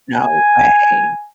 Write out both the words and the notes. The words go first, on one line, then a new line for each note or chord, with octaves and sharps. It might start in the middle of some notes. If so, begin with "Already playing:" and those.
No way.
G#5